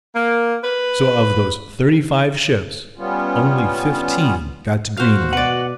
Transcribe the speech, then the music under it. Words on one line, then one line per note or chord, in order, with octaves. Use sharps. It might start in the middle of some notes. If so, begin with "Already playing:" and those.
So of those thirty-five ships only fifteen got to Greenland.
A#3
B4
G3 B3 C#4 F4
F#4 C5 F5
B2 B4 D5 F#5